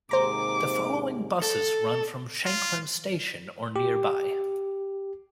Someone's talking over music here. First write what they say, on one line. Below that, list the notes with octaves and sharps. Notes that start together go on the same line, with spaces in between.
The following buses run from Shanklin Station or nearby.
D#2 G#2 C3 C5 A#5 D6
A4
F4
G4